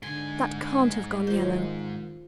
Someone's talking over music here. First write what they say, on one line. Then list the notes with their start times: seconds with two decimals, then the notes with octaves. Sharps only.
That can't have gone yellow.'
0.03 G#2 D3 G#5 C6
1.27 D#3 F3 C5